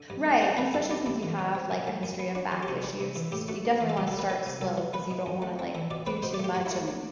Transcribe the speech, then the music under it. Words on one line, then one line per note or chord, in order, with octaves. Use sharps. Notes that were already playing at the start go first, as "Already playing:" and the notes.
Right. And especially since you have, like, a history of back issues, s you definitely wanna start slow cause you don't wanna, like, do too much and
Already playing: D3
G2
A3
C4 C5
D3 B4
G2 A4
B3 G4
G2 E4
E3
B2
C4
B2
A3
F#2
B3
D4 F#4
F#3
G4
C3 F#4
G3
C3
E3
A2 G4
A3 F#4
D4
E3
A4
C2 G4
A4
G3
B4
B3 A4
C3
C2 A4
F#3
B3 B4
B2
F#2
A3
C4
E3
B2 D5
C4 B4
B2 C5
D5
A3
G4
G2 F#4
E4
A3 F#4
D4